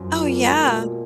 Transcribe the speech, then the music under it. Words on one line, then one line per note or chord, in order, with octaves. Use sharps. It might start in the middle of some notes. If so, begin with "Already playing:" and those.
Oh, yeah.
Already playing: F#2 F3
A#2 F4
G#3
A#2
B2